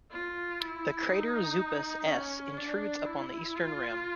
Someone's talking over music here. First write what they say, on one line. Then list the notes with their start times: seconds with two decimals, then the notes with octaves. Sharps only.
The crater Zupus S intrudes upon the eastern rim.
0.11 F4
0.60 E4
1.09 D#4
2.08 C#4
2.57 D4
3.06 E4
3.56 F4